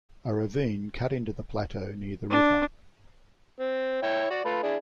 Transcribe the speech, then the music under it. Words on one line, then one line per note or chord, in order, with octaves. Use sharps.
A ravine cut into the plateau near the river.
D4
C4
E4 C#5 G5
F#4 D5
A3 F4 B4
D4 E4 G#4